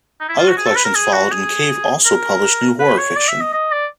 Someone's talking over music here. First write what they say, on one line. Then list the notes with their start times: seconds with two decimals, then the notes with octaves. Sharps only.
Other collections followed and Cave also published new horror fiction.
0.21 D#4
0.29 E4
0.38 F4
0.48 F#4
0.58 G#4
0.66 A4
0.76 B4
0.85 A#4
0.95 G#4
1.13 F#4
1.31 G#4
2.05 A#4
2.79 B4
2.98 C#5
3.16 D5
3.28 E5
3.41 D#5
3.53 D#5
3.72 D5